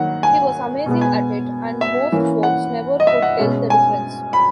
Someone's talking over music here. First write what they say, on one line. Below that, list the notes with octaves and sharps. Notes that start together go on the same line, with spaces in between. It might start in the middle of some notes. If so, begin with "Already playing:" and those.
He was amazing at it, and most folks never could tell the difference.
Already playing: D#3 F#3 A#3 F#5
G#5
B2 G#3 B3
G#5
E5
E3 A#3 C#4
F#5
D#5
E5
F#5
B2 G#3 C#4
G#5
B5